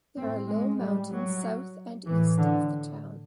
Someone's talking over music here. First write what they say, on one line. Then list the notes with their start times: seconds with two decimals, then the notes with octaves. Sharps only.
There are low mountains south and east of the town.
0.16 A2 C4
0.48 G#3
0.80 G3
1.11 F#3
2.06 A2 E3
2.38 D3